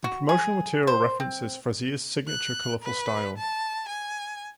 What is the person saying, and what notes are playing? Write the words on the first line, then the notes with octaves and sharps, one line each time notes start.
The promotional material references Frazier's "signature colorful style".
F#4
G#4
C5
C4
F#6
B4
A5
G#5